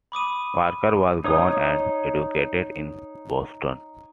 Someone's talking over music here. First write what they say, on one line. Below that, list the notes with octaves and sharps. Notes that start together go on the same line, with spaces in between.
Parker was born and educated in Boston.
B5 D6 D#6 D#7
D#4 C#5 D#6